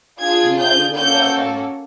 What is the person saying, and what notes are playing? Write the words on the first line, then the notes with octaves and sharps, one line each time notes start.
The Holidays are coming!
D4 F4 G#4 G#6
G6
A#3 C#4 F#4 A4 G6